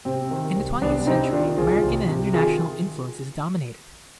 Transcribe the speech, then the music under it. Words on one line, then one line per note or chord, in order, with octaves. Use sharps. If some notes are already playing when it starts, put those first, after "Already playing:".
In the twentieth century, American and International influences dominated.
C3 C4
D#3
C2
C2 B3 D4
C3 C4 D#4
D#3 D4 F4
C2 F4 G#4
C2
C3
D#3 F4 G#4